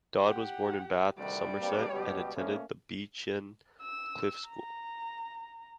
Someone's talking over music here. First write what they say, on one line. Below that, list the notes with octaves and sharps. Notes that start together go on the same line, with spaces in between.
Dodd was born in Bath, Somerset and attended the Beechen Cliff School.
G4 F#5
D2 C3 D#3 G3 D5
G2 A#3 C4 G4
C#2 B2 G4
F2 A3 A#3 C#4
E6
A#5